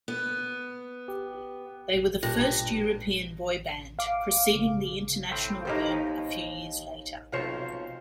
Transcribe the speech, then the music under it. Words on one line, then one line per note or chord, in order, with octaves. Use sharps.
They were the first European boyband preceding the international boom a few years later.
B3
G4
G2 A#2 G4 A#6
F5 D6
C#3
A2 C4
D#2 A2 A#3 D#4 G4 C5
D#2
B1 C3 F3 C5 C#5 F5